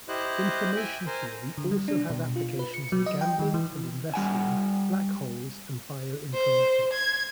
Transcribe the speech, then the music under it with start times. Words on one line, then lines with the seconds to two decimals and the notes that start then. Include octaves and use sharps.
Information theory also has applications in gambling and investing, black holes, and bioinformatics.
0.08 E4 G4 C5 D#5 F#6
0.76 E5 G5 G#5
1.06 A#4 C5 G#5
1.58 D3
1.71 G3
1.88 D4
2.10 B2
2.36 F4
2.59 B4
2.74 C#7
2.92 F#3
3.06 D#5
3.21 G5
3.39 D#3
3.54 E3
4.14 G3 F#5 G#5
6.33 C5
6.93 G#6